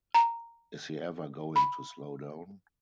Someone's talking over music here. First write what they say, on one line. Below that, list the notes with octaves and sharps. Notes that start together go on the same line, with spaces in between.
Is he ever going to slow down?
A#5
B5